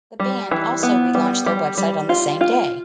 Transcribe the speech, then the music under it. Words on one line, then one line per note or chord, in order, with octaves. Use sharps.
The band also relaunched their website on the same day.
G3
E3
B3
G3
G3
G3
F4
F4